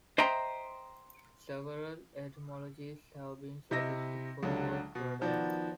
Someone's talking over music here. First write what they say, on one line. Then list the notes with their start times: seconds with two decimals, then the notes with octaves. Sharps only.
Several etymologies have been suggested for the word "Radhanite".
0.18 C5 D#5 E5 G5 A#5 C6
3.71 C3 E4 D#5 E5 A#6
4.43 C#2 D3 F#3
4.95 B2
5.21 D#3 F3 B3 F#4 D5